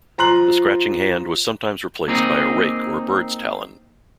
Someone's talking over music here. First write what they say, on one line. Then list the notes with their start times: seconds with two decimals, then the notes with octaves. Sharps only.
The scratching hand was sometimes replaced by a rake or a bird's talon.
0.18 F3 A#5 C6 F#6 F#7
2.08 A#3 C4 D#4 G#4